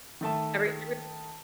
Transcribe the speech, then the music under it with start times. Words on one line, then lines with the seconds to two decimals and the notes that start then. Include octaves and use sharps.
Every every
0.21 D#3 A3 A5